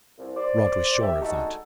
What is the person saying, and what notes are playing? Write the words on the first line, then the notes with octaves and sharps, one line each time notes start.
Rod was sure of that.
C2
C5 D5
G4 E5
D3 G#3 D#4 F#4 A4